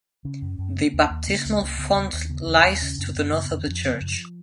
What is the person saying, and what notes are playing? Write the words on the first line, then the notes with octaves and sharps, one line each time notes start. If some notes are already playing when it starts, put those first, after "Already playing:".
The baptismal font lies to the north of the church.
C#3 C#4
F#2
F#2
C#3 A#3
D#2
D#2
C#3 A#3
C#2
C#2
C#3 B3
D#2
D#2
C#3 B3
D#2
D#2
C#3 C#4
F#2 C#4
B3
F#2
C#3 A#3
B3
F2
D#3
F2 F3
C#3
F#2